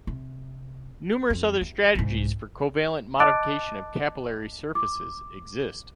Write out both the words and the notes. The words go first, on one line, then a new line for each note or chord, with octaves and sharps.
Numerous other strategies for covalent modification of capillary surfaces exist.
C3
F2
E2
C2 G#2
D#5 A5 D6 F#6 A6 D7
D6